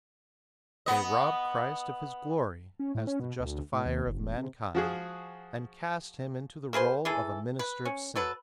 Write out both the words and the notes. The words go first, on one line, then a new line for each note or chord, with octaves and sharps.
They rob Christ of His glory as the Justifier of mankind and cast Him into the role of a minister of sin.
B3 D#5
C#4
A2
C#4
B2
D2
A2
D#2
F#1
E1
C3
F3 F#4 G#4
A#3 G#4 B4 C5
E3 G#4 A4
B4
C#4
F#3 A4 B4